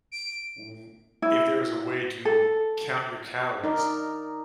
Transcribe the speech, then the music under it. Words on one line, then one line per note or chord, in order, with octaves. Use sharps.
w if there was a way to count your calories,
D7
E4
A4
D#4 A#4 D5